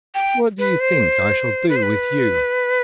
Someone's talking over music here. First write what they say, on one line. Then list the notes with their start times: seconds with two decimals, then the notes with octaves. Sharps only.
What do you think I shall do with you?'
0.15 G5
0.59 B4
0.80 C5
1.69 B4
1.76 C5
1.83 B4